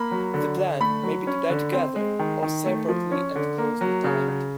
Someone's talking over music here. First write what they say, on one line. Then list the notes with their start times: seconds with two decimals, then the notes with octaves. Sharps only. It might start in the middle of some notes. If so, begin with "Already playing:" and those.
The plan may be to die together, or separately and closely timed.
Already playing: A#3 B5
0.11 F#3
0.34 D3
0.57 D3
0.80 A3 B5
1.03 F#3
1.27 C#4
1.50 D3
1.73 C4
1.96 G#3
2.19 D#3
2.43 D#3
2.66 A3
2.88 F3
3.12 C#4
3.36 D3
3.58 A#3
3.81 F#3
4.04 C#3
4.28 C#3